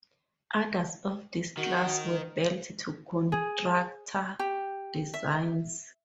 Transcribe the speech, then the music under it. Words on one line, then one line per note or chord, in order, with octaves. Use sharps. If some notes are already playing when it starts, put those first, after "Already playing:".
Others of this class were built to contractor designs.
D#3 F#4
G#4
G4
E5